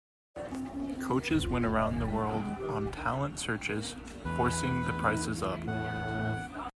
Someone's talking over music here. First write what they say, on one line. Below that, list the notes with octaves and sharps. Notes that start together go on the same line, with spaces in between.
Coaches went around the world on talent searches, forcing the prices up.
D5
C4
C#4
C4
D3
F4
D#5
D#3
G#3
F#5
G#3
G4
E2 B4
A2 F#5